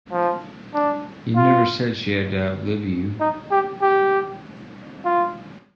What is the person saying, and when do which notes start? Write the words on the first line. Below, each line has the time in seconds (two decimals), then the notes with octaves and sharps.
You never said she had to outlive you.
0.12 F3
0.74 D4
1.36 F4
3.20 D#4
3.51 G4
3.82 G4
5.05 F4